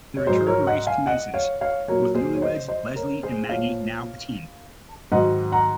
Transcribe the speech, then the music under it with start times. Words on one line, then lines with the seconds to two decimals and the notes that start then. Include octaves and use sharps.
The return race commences, with newlyweds Leslie and Maggie now a team.
0.17 C#5
0.26 G#2 F#3 G#4 C5
0.47 A#4 C#5
0.67 D#5 F#5
0.87 F5 G#5
1.07 D#5 F#5
1.34 C#5 F5
1.61 C#5 F5
1.88 A#2 F#3 A#4 C#5
2.15 G#4 C5
2.35 C#5
2.42 C5 D#5
2.68 C5 D#5
2.96 A#4 C#5
3.23 G#4 C5
3.49 A#2 F3 C#5 F5
5.12 G#2 D#3 F#3 D#5 F#5
5.52 F#5 A#5